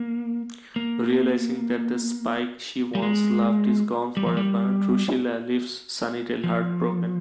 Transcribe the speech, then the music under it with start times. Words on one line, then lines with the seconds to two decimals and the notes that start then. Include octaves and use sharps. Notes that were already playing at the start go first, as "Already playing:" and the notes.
Realizing that the Spike she once loved is gone forever, Drusilla leaves Sunnydale heartbroken.
Already playing: A#3
0.76 A#3
2.95 G3
3.02 G#3
4.17 G3
4.26 F3
4.37 G3
6.44 F3